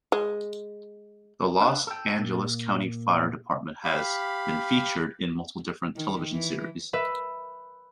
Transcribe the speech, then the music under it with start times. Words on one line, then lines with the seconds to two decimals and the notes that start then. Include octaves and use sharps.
The Los Angeles County Fire Department has been featured in multiple different television series.
0.12 G#3
1.61 D4 A4 B4
1.87 A4 G5
2.19 A#2
3.84 G4 F5 B5
5.96 D#3
6.32 E3
6.93 B4 E5 E6